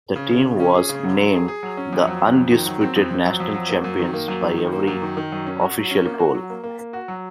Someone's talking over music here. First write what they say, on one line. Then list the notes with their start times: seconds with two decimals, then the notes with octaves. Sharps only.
The team was named the "undisputed national champions by every official poll".
0.16 C#3
0.31 C#3
0.45 C#3
0.60 C#4
0.75 G#4
0.89 C#3
1.04 F#3
1.18 F#3
1.34 G#4
1.48 G#4
1.63 F#3
1.77 C#4
1.93 F2
2.07 F#3
2.22 F2
2.36 F2
2.52 D#3
2.66 F#3
2.81 C4
2.96 F2
3.11 F2
3.25 F#3
3.40 F2
3.54 F#3
3.69 A#3
3.84 F#2
3.99 D#3
4.14 A#3
4.28 F#2
4.43 D#3
4.58 D#3
4.73 A#3
4.88 F#2
5.02 D#3
5.17 D#3
5.32 F#2
5.46 C#4
5.61 F#4
5.76 F#3
5.91 C#4
6.05 A#3
6.19 F#4
6.35 F#3
6.50 A#3
6.64 A#3
6.79 A#3
6.93 F#4
7.08 F#3